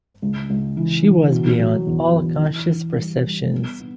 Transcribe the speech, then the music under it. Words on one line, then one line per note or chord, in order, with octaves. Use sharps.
She was beyond all conscious perceptions.
C#2
C#2
E3
E3
B2
F#3
E2
E2
E3
E3
G3
G3
B3
B3